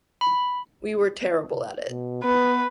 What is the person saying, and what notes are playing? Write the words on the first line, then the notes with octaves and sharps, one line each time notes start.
We were terrible at it.
B5
B2
B3 B4